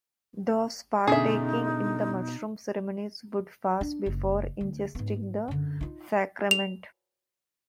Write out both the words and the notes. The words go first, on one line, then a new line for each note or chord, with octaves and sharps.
Those partaking in the mushroom ceremonies would fast before ingesting the sacrament.
F#2 B2 D3 D#4 G#4 E5
D4
F#1
D2
G#2 B3
F#2 D3
D#4 F4
F7